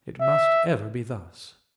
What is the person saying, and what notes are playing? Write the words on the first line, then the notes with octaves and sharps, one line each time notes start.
It must ever be thus.
E5